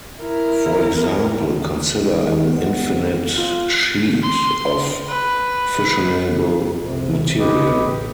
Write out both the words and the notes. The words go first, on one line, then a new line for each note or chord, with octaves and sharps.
For example, consider an infinite sheet of fissionable material.
E4 A#4
G#3
B3
F4
C6
B4
F1 C2 C3
G4 B4 D#5
A1